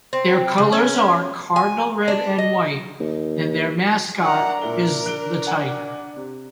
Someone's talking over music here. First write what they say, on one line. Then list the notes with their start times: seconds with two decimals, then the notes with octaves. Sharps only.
Their colors are cardinal red and white, and their mascot is the Tiger.
0.13 C4
0.58 C#3
0.72 C#4
1.56 G#5
2.08 D4
2.38 D#5
3.00 D#2
4.22 D4 A#4 E5 F#5 A#5
4.62 A#2 E4 A#4 G7
5.06 F#6 D7 G7
5.47 F#5 G#5 A#5
6.16 C3